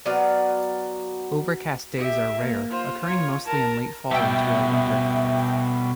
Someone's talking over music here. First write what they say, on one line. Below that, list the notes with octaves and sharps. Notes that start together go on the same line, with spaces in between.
Overcast days are rare, occurring mostly in late fall and throughout winter.
F#3 B3 D5 F5
G4 E5
A#3
F4 C5
F4 C#5
A#4 A5
B2 G3 E5 G5